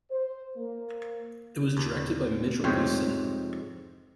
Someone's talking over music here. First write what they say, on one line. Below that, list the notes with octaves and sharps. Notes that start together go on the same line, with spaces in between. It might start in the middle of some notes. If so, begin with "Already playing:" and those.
It was directed by Mitchell Leisen.
C5
A#3
D#2
F2 G#2 C3 C5 C#5 G5